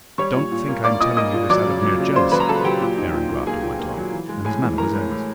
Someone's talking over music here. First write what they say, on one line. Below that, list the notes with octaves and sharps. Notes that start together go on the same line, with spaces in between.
"Don't think I am telling you this out of mere jealousy," Aaron Grafton went on, and his manner was earnest.
G3 C#5 C#6
A#2
A#2
A#3
A#3 D5 D6
A#2 D#5 D#6
A#3 D#5 D#6
A#2
F#3 D5 D6
C#3
F#3
C#3
C#3 C5 C6
F#3 B4 B5
A#5
C#3 A4 A5
F#3 G4 G5
A#2
D#4
A#2
A#2
A#3 G#4 G#5
A#2
A#3
F#3
E3
G#3
A2 G#4 G#5
E3
E3 A#4 A#5
A2
A2